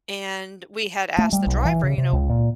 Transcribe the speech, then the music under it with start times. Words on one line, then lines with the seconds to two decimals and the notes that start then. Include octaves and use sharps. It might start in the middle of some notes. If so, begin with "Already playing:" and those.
and we had asked the driver, you know,
1.18 A3
1.33 G3
1.47 B1
1.65 E3
1.83 C#3
1.98 C3
2.13 C#2
2.29 A#2